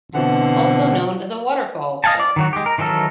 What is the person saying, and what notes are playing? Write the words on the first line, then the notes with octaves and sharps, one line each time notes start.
Also known as a waterfall shell.
B2 D3 E3 F3 C4 F#5
D#5 F5 F#5 G#5 A5
D5
D#3 F#3 F#4
G#3 G4
A#4
D#3 E3 F#3 A4 A#4